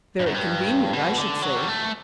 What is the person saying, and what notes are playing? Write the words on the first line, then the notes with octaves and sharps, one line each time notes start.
'Very convenient, I should say.'
G2
F#2
G2
B2
D3
F#3
G3
A3